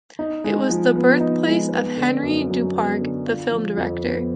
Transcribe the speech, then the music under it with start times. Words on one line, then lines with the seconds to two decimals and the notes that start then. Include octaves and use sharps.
It was the birthplace of Henri Duparc, the film director.
0.19 D#4
0.44 G#3
0.70 F3
0.95 B3
1.20 D#4
1.46 G#3
1.72 B3
1.97 D3
2.23 F#2
2.50 F#3
2.75 B3
3.01 D3
3.27 F4
3.52 F3
3.77 F2
4.03 B3